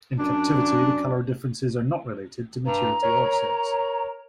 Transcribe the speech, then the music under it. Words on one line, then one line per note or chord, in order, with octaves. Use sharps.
In captivity, the colour differences are not related to maturity or sex.
F#2 D4
G2 A#5
A#4 C#5